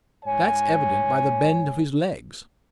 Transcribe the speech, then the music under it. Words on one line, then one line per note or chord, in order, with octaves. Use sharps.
That's evident by the bend of his legs.
G#2 C#5 G#5